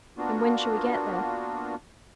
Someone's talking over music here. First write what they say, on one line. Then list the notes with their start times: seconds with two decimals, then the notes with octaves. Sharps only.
"And when shall we get there?"
0.18 A#3 B3 D4 F4 F#4